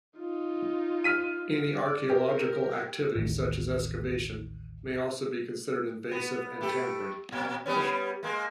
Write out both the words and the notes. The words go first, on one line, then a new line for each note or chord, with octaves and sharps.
Any archaeological activity, such as excavation, may also be considered invasive and tampering.
D#4 F4
F6 B6 D#7
D5
G4 A#4
A1 D#2
B3
A3 G4
A#2
G3 B3 C#4
G#3 A#3